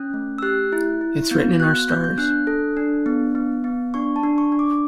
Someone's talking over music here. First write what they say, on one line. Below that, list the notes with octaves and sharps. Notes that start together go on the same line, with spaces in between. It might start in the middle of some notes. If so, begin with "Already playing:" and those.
Its written in our stars.
Already playing: C#4 F#6
A3
E6
G4 F#6
E4
E4
B3 G6
F#4 F#6
B3 G6
G6
D4 F#6
A4
D4
B3
B3
B3
D4 C#6
A5
D4
C#6
D4
D6